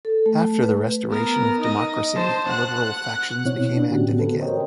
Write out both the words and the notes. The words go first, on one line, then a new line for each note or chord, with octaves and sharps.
After the restoration of democracy liberal factions became active again.
A4
A3
B4
B3 A#4
D#4 D#5
C5 A5
F#5 F#6
B2 C4 E4 C#5
D4
A2 D3 B3 C#4 F#4 G4
A4 B4
F#4 A#4 C5 C#5 D#5 G5